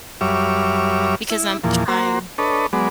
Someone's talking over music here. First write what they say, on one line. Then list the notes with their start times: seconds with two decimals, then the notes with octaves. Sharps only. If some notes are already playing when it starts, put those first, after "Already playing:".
Because I'm trying
0.21 F#2 G3 C#5 E5 D6 F6
1.30 E4
1.64 E2 A#2 F3
1.88 A#3 F#4 C5
2.38 D4 A4 B4 C#5 D#5
2.73 F#3 G#3 B3 D5